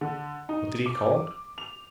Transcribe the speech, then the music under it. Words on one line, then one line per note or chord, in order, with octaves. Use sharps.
What did he call it?
D3
D#4
D6
F7